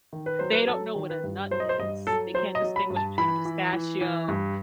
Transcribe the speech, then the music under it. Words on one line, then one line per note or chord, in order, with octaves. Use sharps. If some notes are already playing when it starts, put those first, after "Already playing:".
They don't know what a nut is, they can't distinguish between a pistachio,
D#3
B4
F#3 C5
B4
F#3 A4
D#3
B4
G2
F#3 C5
D#5
C5
G2 D#5
F#3 A4
F#3 C5
D#5
F#3
B5
G2
A5
E3 B5
E3
E3
E3
G2